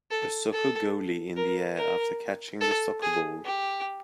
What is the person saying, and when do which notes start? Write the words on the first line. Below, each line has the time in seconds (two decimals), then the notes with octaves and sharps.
A soccer goalie in the air after catching the soccer ball.
0.11 A4
0.53 A4
1.36 A#4
1.77 A#4
2.61 A4
3.02 G#4
3.45 G4